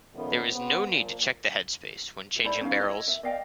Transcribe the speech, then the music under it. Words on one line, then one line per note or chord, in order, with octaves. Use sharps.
There is no need to check the headspace when changing barrels.
A#2 D#3 F3 A3 B3 C#4
C#3 B3 C4 B4 C5
A#2 F3
E4 C5 D5 B5
C#4 D#4 F5
E4 C#5 D#5
E5
D5 D#5 F5 G5